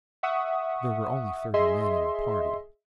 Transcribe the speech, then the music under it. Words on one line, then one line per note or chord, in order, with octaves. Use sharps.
There were only thirty men in the party.
E5 F#5 C#6 D#6
G#4 D#5 E5 C6